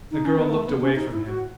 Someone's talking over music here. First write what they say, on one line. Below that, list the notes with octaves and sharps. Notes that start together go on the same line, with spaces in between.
The girl looked away from him.
D#4
C#4
B3
A3
B3
C#4
D#4
E4
F#4